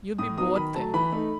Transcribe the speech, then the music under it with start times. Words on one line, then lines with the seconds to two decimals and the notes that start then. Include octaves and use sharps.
You'll be bored there.
0.18 A2 D#6
0.37 F#3 B3 D#4 D#6
0.56 D#3 B5
0.74 F#3 A3 A5
0.94 E3 B5
1.12 A3 D#4